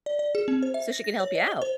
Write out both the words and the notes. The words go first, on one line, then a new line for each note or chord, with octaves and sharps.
So, she can help ya out.
D5
D5
G#4
C4
C5
E5
A#6
A#6
C#5
D#5
G7
C5